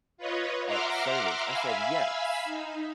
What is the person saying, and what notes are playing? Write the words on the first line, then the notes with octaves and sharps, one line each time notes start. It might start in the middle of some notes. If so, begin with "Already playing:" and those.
X service." I said, "Yes,
F4 B4 C#5 D#5
E5 F#5 A#5 C6 D6 F6
E5 F5 G#5 B5 E6
D#4